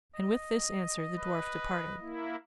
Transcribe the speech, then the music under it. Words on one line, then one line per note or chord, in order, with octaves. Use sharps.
And with this answer the dwarf departed.
D#5
B4
A#3 E4